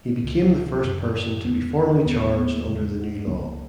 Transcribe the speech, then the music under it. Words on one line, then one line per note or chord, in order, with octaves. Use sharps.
He became the first person to be formally charged under the new law.
C#2 C#3
F#2 C#3
E2 C#3 B3
D#2 C#3 B3
B3
A#3
E2 C#3 G#3
C#2 C#3 A#3